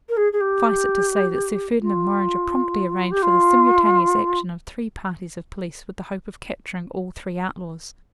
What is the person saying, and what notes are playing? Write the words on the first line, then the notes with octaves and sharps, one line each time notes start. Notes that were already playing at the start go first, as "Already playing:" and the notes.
Suffice it to say that Sir Ferdinand Morringer promptly arranged for the simultaneous action of three parties of police with the hope of capturing all three outlaws.
A#4
G#4
G#4
G4
F4
G4
F4